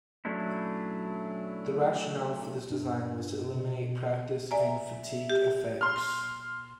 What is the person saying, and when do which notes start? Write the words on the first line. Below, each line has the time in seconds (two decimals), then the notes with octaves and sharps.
The rationale for this design was to eliminate practice and fatigue effects.
0.25 F#3 A3 C#4 D4 E4
2.70 G2
3.55 B2
4.51 D5 E5 G#5 A#5
5.30 G4
5.81 C6 F6